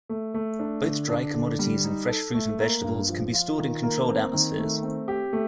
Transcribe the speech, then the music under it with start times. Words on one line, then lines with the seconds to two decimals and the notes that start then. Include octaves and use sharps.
Both dry commodities and fresh fruit and vegetables can be stored in controlled atmospheres.
0.09 A3
0.34 A3
0.59 D4
0.84 D3
1.09 D4
1.34 D3
1.59 G3
1.84 D#4
2.09 A4
2.34 A3
2.59 A#3
2.84 G2
3.09 F3
3.34 F4
3.58 D#3
3.83 A#3
4.08 C4
4.33 D#3
4.58 A3
4.83 C4
5.08 G4
5.33 A3